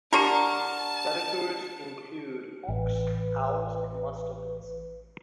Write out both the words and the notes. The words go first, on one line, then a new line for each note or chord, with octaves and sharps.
Predators include hawks, owls, and mustelids.
D3 D4 G4 A#4 A5 A#5
A1 B4